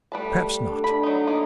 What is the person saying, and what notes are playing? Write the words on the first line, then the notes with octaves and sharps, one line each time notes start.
Perhaps not.
G3 A3 B4 A5
D3 D4
B5
F#3 D#4
A#3 D#4 D5